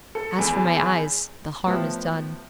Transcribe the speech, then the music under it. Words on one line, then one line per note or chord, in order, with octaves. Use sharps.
'As for my eyes, the harm is done.'
A4
E2
A2 F3 B3 G4